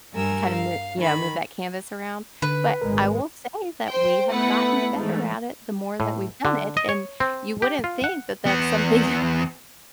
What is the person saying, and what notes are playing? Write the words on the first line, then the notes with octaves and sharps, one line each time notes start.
and kinda mo Yeah, move that canvas around. But I will say that we have gotten better at it the more that we've done it, and you wouldn't think that that's something
G2 G3 A#4 G#5 E6
F5
D#3 B5
D3 B4
G#1 G#3 A#4
C5 G5
A3 B3 E4 B4 F#5
G#2 E3 A3
A2
D3
D#5
C#5
C4
G4
F4
F#5
E2 B3